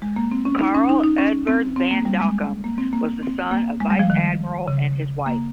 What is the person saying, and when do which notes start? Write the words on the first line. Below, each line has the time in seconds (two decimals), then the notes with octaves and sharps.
Carl Edvard van Dockum was the son of Vice Admiral and his wife.
0.02 G#3
0.16 A#3
0.31 C4
0.45 C#4
0.60 D#4
0.74 C#4
0.89 D#4
1.04 D#4
1.18 C#4
1.47 C4
1.76 C4
1.91 A#3
2.05 G3
2.20 G#3
2.64 A#3
2.78 C4
2.93 A#3
3.22 C4
3.51 A#3
3.80 G#3
3.90 G3
3.99 F3
4.10 D#3
4.68 C#3
5.26 A#3